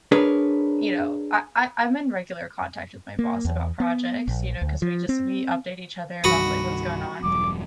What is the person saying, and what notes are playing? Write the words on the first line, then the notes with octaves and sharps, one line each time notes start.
you know, uh I I'm in regular contact with my boss about projects, you know, 'cause we just we update each other about, like, what's going on.
D4 G#4 A#4 B4 C#5
A#3
E2
B3
A#1
D2
F3
C4
C2 G2 D#3 F#4 B5 D#6
E1 G2 F#3 D6